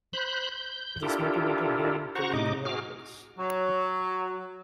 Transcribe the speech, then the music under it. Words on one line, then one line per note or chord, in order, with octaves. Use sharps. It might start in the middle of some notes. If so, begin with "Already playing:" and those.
This motivated him to leave New Orleans.
C5 B5 F#6 G6
G6
D4 E4 F4 G4 A4 A#4
F#4 C5 F#5 A#5 C#6
A2 C3 D#4 D#5 D6
F#4 G#4 D6 F6
F#3